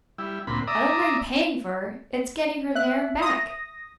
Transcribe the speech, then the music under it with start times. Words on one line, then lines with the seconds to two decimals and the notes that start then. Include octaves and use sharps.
I don't mind paying for her; it's getting her there and back.
0.18 G3 E4
0.47 D2 A#2 C4 B5
0.67 D5 E5 A#5 D#6
2.75 E5 F#6
3.22 D#6 A#6